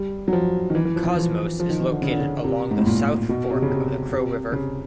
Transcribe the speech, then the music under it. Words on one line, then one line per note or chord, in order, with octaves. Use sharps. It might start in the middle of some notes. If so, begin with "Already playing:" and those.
Cosmos is located along the South Fork of the Crow River.
Already playing: G3
F#3
F3
D#3
E3
E3
F3
F3
E3
F3
D#3
D#3
D3
C#3
D3
C#3
C3
G#2
A2
A#2
B2
C3
C#3
C3
C3
C#3
C3